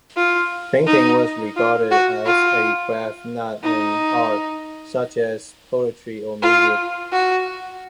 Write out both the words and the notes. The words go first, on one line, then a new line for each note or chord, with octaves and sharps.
Painting was regarded as a craft, not an art such as poetry or music.
F4
D#4
F4
F#4
F4
D#4
F4
F#4